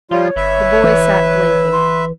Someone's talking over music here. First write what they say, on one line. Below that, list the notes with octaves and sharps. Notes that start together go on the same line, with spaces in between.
The boy sat blinking.
F3 G3 F4 C#5
G1 B4 E5
E3
C6